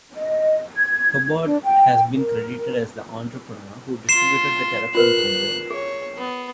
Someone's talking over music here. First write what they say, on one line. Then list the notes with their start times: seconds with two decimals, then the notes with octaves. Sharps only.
Hubbard has been credited as the entrepreneur who distributed the telephone to the world.
0.16 D#5
0.77 G#6
1.45 D4
1.64 G5
2.15 A#4
4.09 F4 C6 C7 E7
4.95 F4 A#4 B4 F#6
5.70 G#4 C#5
6.17 B3